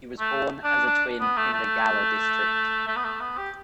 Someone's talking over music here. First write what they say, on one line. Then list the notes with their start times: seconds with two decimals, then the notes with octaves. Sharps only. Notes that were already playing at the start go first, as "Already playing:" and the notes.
He was born as a twin in the Galle district.
0.20 A3
0.64 D4
0.87 D4
1.20 B3
1.37 A3
1.54 A3
2.88 A3
2.96 B3
3.04 A3
3.20 B3
3.38 G4